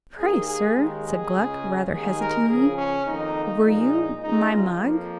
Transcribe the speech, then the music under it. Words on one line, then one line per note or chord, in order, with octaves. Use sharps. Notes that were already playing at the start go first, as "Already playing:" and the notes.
"Pray, sir," said Gluck, rather hesitatingly, "were you my mug?"
D#2 D#3 A#3 G#4
G#4
D#2 D#3 G#3
G#4
C#2 C#3 G#3
D#2 D#3 G#3 G#4
A#4
C#2 C#3 F3 G#4
C#4
F2 D#3 A#3 D#4
A#2 F3 G#3 D#4
C#2 C#3 G#3 D#4
F4
F2 F3 A#3